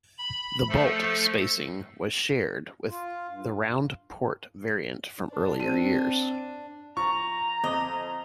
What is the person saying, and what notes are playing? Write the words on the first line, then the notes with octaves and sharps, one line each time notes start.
The bolt spacing was shared with the round-port variant from earlier years.
B5
F3 A3 A4
F4
G2
D4
C4 D#7
F3 A#5 C#6
F2 D#5